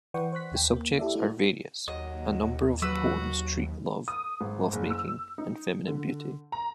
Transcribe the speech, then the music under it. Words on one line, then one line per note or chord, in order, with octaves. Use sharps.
The subjects are various: a number of poems treat love, lovemaking, and feminine beauty.
E3 B4 D5 F#5 G5 C#6
C5 C#6 F#6 B6
D#2 G5
A#3
E4 G4 A4 D5 E5
A3 E4 F#4
D#2 F#3 D#5
F#3 F#4 B4 E6
D#6
G#1
F#1
E6
D#4
D3
A#5